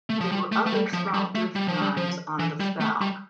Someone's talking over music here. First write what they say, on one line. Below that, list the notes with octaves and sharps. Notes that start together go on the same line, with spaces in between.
There were other small drift mines on the fell.
A3
F3
G3
A3
A3
G3
F3
G3
A3
G3
F3
G3
F3
E3
G3
A3
G3